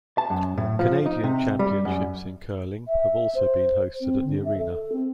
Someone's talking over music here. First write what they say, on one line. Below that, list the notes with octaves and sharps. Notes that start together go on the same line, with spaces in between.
Canadian championships in curling have also been hosted at the arena.
A5
F#2
A2
F3
D#4
C3
G3
F#2
E5
C5
C4
D3
E5
A4
C4